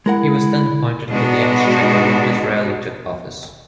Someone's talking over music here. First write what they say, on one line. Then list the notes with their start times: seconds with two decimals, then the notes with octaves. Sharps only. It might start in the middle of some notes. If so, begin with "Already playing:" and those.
He was then appointed to the Exchequer when Disraeli took office.
0.06 G#3 E4 A#4 F#5
1.09 B2 G#3 B3 D4 D#4 F#4